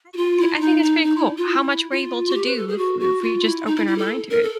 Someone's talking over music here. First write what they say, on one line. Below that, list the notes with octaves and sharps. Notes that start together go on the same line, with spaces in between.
I think I think it's pretty cool how much we're able to do if if we just open our mind to it.
F#4
F4
E4
D#4
D#4
D#4
E4
F4
E4
F4
F#4
G4
B4
A4
G#4
F#4
F#4
F4
E4
D#4
E4
E4
A4
A#4
A4